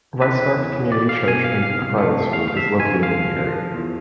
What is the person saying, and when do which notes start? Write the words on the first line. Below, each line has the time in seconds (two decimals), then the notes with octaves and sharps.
Rispark Community Church and a private school is located in the area.
0.21 E2 B4
0.57 E2
0.92 B2 D5
1.09 F5
1.27 B2 G#5
1.44 F5
1.62 C2 F5
1.98 A3
2.33 C2 F5
2.48 F5
2.57 E5
2.69 C2
2.80 G#5
3.03 F3 F5
3.38 F3
3.74 E2